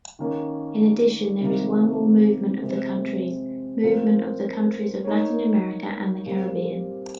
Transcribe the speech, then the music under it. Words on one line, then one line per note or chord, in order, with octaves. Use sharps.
In addition there is one more movement of the countries - movement of the countries of Latin America and the Caribbean.
D#3 A#3 C#4
C3 D#3 A#3
C3 F3 G#3 C4
A#2 F3 C4 F4 A#4
A#3 D#4 A#4 C#5
A#2 G3 C4